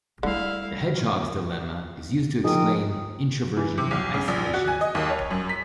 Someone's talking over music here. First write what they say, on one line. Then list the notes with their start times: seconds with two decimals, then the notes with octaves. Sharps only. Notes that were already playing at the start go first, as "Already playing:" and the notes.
The hedgehog's dilemma is used to explain introversion and isolationism.
0.23 D3 G3 A3 E4 F5
2.44 F3 D#4 G#4 A#4 G5 D#6
3.57 E3
3.78 C3
3.91 B1
4.14 C#3
4.28 A#1
4.54 F#4
4.67 G#5
4.81 D#5
4.95 D#2
5.10 C#5
5.31 F#2
5.49 B6